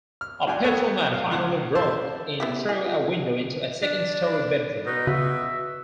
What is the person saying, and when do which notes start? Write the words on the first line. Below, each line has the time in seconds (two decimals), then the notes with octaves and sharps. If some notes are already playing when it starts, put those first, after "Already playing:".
A patrolman finally broke in through a window into a second-story bedroom.
0.21 F6
0.47 F#3 D4 G5 G#5
0.64 B3 A4 C#5 F#5 G5
1.14 F5
1.31 C#2 F3 F#5 C6
1.75 E4 C5 A5 C6 E6
2.40 B3 E4 G4
2.69 E4 G#4 D5
2.83 F4 B4
3.82 D4
4.86 B2 D#4
5.07 C#3 F4 F#4 E5